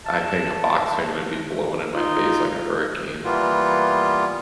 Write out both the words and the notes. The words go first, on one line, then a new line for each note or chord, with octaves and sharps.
I hang a box fan, it'd be blowing in my face like a hurricane,
A5
D#4 F4
E3 G3 A#3 B3 F4